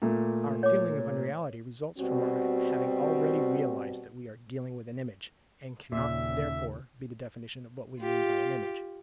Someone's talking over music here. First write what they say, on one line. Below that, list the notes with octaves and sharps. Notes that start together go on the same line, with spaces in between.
Our feeling of unreality results from our having already realized that we are dealing with an image, and cannot therefore be the definition of what we mean by an image.
A#2 A3 A#3
C#5 D6
B2 G3 C4 F#4
D#2 A#2 C#3 E5
F4 G4